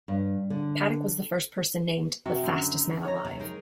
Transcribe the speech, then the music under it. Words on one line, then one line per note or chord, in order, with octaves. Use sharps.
Paddock was the first person named "The fastest man alive".
G2
D3
C3 F#4
F#2 D3
D#4
C#5 A#5
D#2 C3
G#3 D#4 A#4